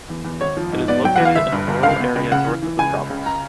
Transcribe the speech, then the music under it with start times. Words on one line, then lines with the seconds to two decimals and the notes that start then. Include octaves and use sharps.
It is located in a rural area North of the province.
0.10 E2
0.25 E2
0.41 G#1 C#5
0.57 F3
0.72 G#2
0.88 B3 D5
1.04 F#3 G5
1.16 E2 F#5
1.25 F5
1.35 G1 E5
1.52 G2
1.67 G1
1.83 C#2 F5
2.00 B3
2.16 C#2
2.32 C#3 F#5
2.47 E3
2.62 E3
2.79 C#2 G#5
2.94 C#2
3.10 C#3
3.26 A#5